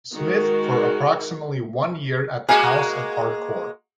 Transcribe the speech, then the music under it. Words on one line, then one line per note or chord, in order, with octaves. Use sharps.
Smith for approximately one year at the House of Hardcore.
D#3 G#3 F#4 A#4
G#3 A#3 F#4 G#4 F5